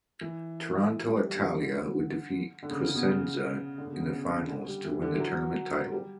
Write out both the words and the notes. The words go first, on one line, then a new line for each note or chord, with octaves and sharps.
Toronto Italia would defeat Cosenza in the finals to win the tournament title.
E3
E3
A3
G3
G3
G3
D3
E3
D3
D3
D3
C#3
C#3
B2
C#3
D3
C#3
B2
C#3
C#3
D3
G3
E3
D3
E3
F#3
G3